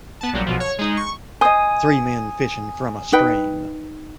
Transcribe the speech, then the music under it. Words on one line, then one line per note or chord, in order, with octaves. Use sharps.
Three men fishing from a stream.
B3 A5
A#1 F#3 G3
B1 B2 F3
C#5
G#3 D#4
C#6
C5 D#5 G#5 D#6
D#4 B4 G5